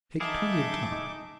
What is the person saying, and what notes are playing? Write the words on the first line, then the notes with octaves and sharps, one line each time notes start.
Take plenty of time.
D#4 E4 G#4 A4 E5 F5 D6